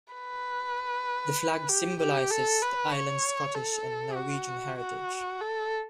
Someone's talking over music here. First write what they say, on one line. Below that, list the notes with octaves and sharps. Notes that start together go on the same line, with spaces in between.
The flag symbolises the islands' Scottish and Norwegian heritage.
B4
G4
G4
A4
B4
C#5
A4
F#4
F#4
A4